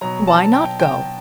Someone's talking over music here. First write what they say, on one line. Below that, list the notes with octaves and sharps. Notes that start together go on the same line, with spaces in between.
"Why not go?"
B2 F#3 A#5
A5
G5
G5